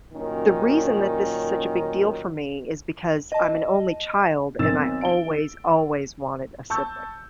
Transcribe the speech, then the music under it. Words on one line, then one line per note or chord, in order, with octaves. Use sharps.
the reason that this is such a big deal for me is because I'm an only child and I always, always wanted a sibling.
F#2 A#2 D#3 C#4
D#5 A5
B1 D#3 C4 E6 A6 E7
D7 G7
A5 C#6 E6 G6